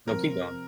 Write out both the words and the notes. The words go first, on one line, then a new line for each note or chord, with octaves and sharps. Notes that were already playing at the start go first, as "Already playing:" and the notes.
No, keep going.
C3 F3 C4 A#4